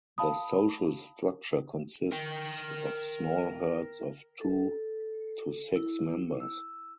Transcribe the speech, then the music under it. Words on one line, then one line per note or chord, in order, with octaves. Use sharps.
The social structure consists of small herds of two to six members.
F5 A5 B5 D#6
A#4 G5
A4
E4
E6